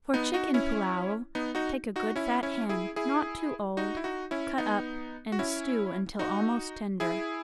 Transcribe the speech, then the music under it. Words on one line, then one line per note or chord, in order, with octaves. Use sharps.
For chicken pullao, take a good fat hen, not too old, cut up and stew until almost tender.
B3 D#4
D#4 F#4
C#4 E4
B3 D#4
D#4 F#4
D#4 F#4
C#4 E4
C#4 E4
E4 G#4
E4 G#4
D#4 F#4
E4
D#4 F#4
C#4 E4
B3 D#4
F#4
C#4 E4
D#4 F#4
E4 G#4